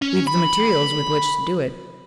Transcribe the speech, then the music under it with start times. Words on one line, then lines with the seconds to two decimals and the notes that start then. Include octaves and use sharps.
We've the materials with which to do it.
0.02 C#4
0.27 B5